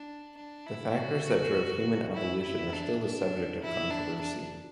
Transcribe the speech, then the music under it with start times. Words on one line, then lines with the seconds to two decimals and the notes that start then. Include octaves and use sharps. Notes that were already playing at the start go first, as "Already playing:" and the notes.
The factors that drove human evolution are still the subject of controversy.
Already playing: D4
0.37 D4
0.66 E4
0.96 F#4
1.25 F#4
2.14 E4
2.43 E4
2.73 D4
3.03 D4
3.62 E4
3.91 D4
4.21 D4